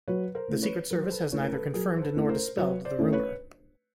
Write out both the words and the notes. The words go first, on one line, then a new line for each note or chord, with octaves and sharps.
The Secret Service has neither confirmed nor dispelled the rumor.
F#3 B4 C#5
A#4 C5
A3 C#4 E4
B4 C#5
F#3 A#4 C5
C5
A4 B4
A3 C#4 E4 B4 C#5
A#4
A4 B4
F#3 G#4 A#4
C5
A4 B4
A3 C#4 E4
A#4 C5
F#3 B4 C#5
C5 D5
A3 C#4 E4
B4 C#5